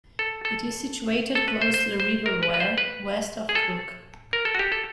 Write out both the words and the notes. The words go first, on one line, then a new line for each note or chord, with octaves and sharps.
It is situated close to the River Wear, west of Crook.
A4
A4
A4
B4
C5
C5
C5
A#4
B4
B4
C5
B4
G#4
A4
A#4
A4
F#4
G4
A4